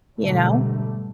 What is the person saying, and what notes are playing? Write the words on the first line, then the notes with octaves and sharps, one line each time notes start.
You know?
G#2 B2 D3 G3 A3